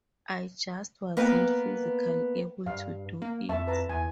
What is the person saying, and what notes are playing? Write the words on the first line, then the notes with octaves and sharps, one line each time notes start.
I just wasn't physically able to do it.
A#3 B3 B4 G5
G2 F5
A#3
F2 E5 A5 C#6
B4 A5 A#5
E2 G#5